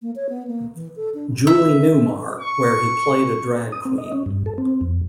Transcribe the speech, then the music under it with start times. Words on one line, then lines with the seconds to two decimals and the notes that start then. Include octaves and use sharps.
Julie Newmar where he played a drag queen.
0.02 A#3
0.16 C#5
0.29 B3
0.47 A#3
0.75 E3
0.96 A4
1.14 D4
1.47 E5
2.41 C#6
3.72 D#6
3.85 C4
3.98 D#5
4.12 C#4
4.26 G2
4.46 A4
4.58 C4
4.81 F2